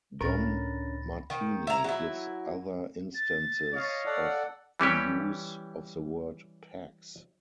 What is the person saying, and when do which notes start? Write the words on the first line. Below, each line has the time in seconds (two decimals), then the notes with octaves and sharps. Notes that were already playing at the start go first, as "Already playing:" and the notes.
Dom Martene gives other instances of the use of the word "Pax".
0.21 C#2 A2 C#4 D4 A#4 B5 A6 A#6
1.30 D#3
1.67 E4 A#5
1.84 F#3 E4
3.15 A6
3.74 C#5 D#5 F5
4.05 A4 D5 F#5
4.80 E3 G3 C#4 G4